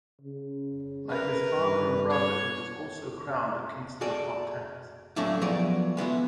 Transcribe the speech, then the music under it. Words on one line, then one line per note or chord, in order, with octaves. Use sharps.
Like his father and brother he was also crowned at Kingston upon Thames.
C#3
A#4 B4
G2
C#5
F#4 G#4 A4 D5
F#3 A3 C#4 D4 E4
F3 F#3 B3 G#4 D5
G#3 B3 E4 F#4